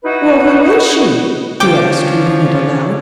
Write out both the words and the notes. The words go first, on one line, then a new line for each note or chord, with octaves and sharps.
"Well, who is she?" he asked, reading it aloud.
D#4 E4 F#4 B4
D3 F3 C#4 G5 D6